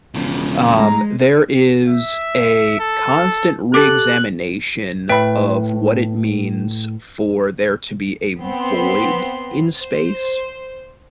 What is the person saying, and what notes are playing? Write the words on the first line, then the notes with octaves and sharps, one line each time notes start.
um, there is a constant re-examination of what it means for there to be a void in space,
E1 C#3 F3
G#3 A#5
E5
A4
G4 A4 F#6
A2 B4 E5 G5 B5
B3 C4 C6
C5